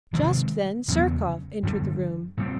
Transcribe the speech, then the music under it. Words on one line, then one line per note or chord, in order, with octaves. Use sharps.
Just then Zherkov entered the room.
C3 D#3 G#3 C4
E2 C#3 F#3 B3
F#2 D3 G3
A#2 G3 C4